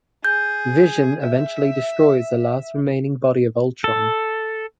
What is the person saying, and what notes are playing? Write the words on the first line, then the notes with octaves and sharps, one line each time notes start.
Vision eventually destroys the last remaining body of Ultron.
G#4 G6
E5
A4